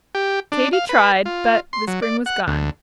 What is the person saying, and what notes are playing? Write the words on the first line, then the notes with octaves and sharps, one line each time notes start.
Katy tried, but the spring was gone.
G4
D4
F5
B4
F4
C6
F#3
D5
F#5
D2